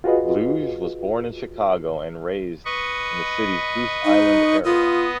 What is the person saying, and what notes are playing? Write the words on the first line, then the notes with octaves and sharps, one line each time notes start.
Bluege was born in Chicago and raised in the city's Goose Island area.
F4 F#4 G#4 B4 D#5
B4 D#5 C#6
D#4
B3 F4 D#5